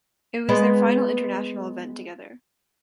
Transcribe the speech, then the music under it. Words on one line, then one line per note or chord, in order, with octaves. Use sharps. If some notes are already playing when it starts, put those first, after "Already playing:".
It was their final international event together.
G#3 B3 D#5